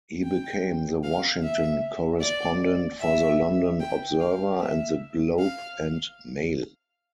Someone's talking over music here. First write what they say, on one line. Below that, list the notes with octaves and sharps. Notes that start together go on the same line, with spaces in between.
He became the Washington correspondent for the "London Observer" and the "Globe and Mail".
G5
F5
E5
D5
E5
G5
F5
E5
F5